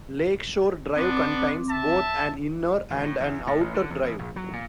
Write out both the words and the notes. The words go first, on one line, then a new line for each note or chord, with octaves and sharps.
Lake Shore Drive contains both an inner and an outer drive.
B3 C4 D4 D6
E5 A5
G#1
A2
E2
A2
A1
D3
E2
A1
A#1
F#3
A#2